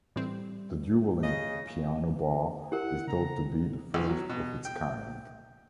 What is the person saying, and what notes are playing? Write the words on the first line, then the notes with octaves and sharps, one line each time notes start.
The dueling piano bar is thought to be the first of its kind.
A2 E3 G3 C4
C#3 D#5
E4 G4 A#4 F#5
C#3 A#5
B1
F#3
B2
G5